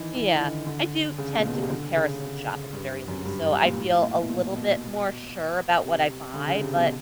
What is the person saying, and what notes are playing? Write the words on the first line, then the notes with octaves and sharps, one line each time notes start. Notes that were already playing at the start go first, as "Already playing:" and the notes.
Yeah. I do tend to comparison shop at the very least, so I feel a little bit more sure about what I buy, but,
Already playing: D#3 E3
E3
D3
D#3
D3
C#3
A#2
B2
C3
C#3
D3
C#3
G2
F#2
G2
G2
A#2
A2
A#2
B2
A#2
B2
C3
D3
C#3
C3
B2